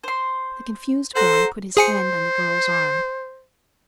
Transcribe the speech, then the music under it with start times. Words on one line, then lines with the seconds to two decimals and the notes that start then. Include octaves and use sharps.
The confused boy put his hand on the girl's arm.
0.04 C5 C6
1.15 A4 C5 F#5 A#5
1.77 G#4 C5 G#5 C#7